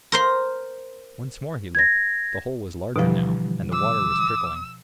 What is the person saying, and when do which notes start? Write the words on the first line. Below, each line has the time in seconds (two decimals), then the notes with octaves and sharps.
Once more he looked; the hole was larger, now, and the water was trickling.
0.12 A#4 C5 C6
1.75 G#6 A#6
2.96 B2 D3 E3 F3 G3
3.72 D6 E6